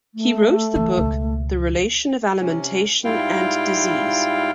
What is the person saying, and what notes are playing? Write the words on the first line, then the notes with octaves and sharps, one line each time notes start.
He wrote the book "The Relation of Alimentation and Disease".
A3
E3
C#2 B2
C3 C#4
G#2 G3 E4 F4 F5 G5